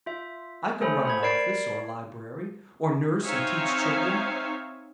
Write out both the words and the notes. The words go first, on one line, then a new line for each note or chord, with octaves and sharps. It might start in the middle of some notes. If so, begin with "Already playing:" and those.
I could run an office or a library, or nurse and teach children.
F4 E5
A3 A4 C5 C#5 G#5 B5
C5 B5 G#6
A#4 D5 B5 G#6 C7 D7
C4 D#4 C#5 E5 F5 G#5